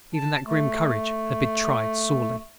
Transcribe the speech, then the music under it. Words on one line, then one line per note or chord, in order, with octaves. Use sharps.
Even that grim courage had been tried sorely.
A5
A3